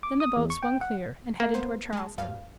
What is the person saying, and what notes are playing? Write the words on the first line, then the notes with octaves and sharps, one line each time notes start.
Then the boat swung clear and headed toward Charleston.
D6
D#6
E2
C#6
G5
F#5
A#3
B3 C5
G#3 A5
D2 G2 F5